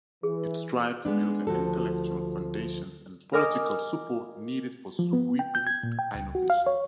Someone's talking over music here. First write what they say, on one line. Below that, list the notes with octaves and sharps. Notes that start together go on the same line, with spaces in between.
It strives to build the intellectual foundations and political support needed for sweeping innovation.
E3 G#4
G#3 B3 D4
D2 F3 F#4 A4
A#4 D#5 G#5 D6 D#6 F6
F3
B3
G5
G6
G#6
A#2
G5
C#2
F#4
F5
C#5